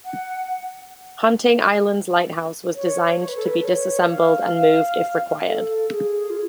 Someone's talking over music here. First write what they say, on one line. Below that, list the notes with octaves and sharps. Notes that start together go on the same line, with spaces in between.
Hunting Island's Lighthouse was designed to be disassembled and moved if required.
F#5
C#5
C#5
B4
A4
B4
C#5
F5
A4
G#4
F4